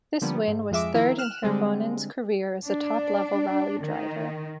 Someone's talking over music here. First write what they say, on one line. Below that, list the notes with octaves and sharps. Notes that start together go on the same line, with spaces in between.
This win was third in Hirvonen's career as a top level rally driver.
D3 F3 G3 A#3 B3
G#2
F2 F3 G#3 E5 D6
D#3 F3 E4 A#4
F6 F#6 E7
D3 G3 G#3 C4
D4
D#3